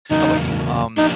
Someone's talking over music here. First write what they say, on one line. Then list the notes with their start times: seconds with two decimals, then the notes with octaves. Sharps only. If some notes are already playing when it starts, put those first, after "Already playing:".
how 'bout you, um,
0.11 E2 C#3 F#3 A#3 D#4
0.98 F3 A#3 D4 D#4 G4